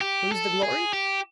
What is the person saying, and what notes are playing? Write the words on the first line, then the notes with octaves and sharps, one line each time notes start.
Whose the glory?
G4
A4
G#4
G4